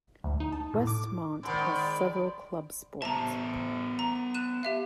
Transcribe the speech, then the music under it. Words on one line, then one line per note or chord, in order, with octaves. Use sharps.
Westmont has several club sports.
D2
D#4
A5
A2
D6
G#2 D#3 D5 B5 C6
B3 C5 E5 A5 A#5
A#5
F#6 D#7 E7
G4 E5 F5